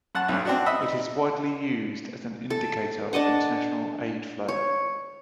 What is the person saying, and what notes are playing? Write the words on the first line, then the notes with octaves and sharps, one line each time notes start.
It is widely used as an indicator of international aid flow.
F#2 F#5 A5
B1 G2
C4 D4 F#4
D#5 E5 B5 E6
D#4
A4
D4 D5 D#5 F#5
C#5